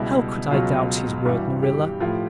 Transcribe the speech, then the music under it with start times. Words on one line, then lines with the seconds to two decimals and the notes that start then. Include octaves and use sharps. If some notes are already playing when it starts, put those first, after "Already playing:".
How could I doubt his word, Marilla?
Already playing: C#2 B2 G3 E4
0.51 C#2 B2 F#3 F4
1.25 G2 E3 G3 F#4
1.63 G4
2.00 A2 F3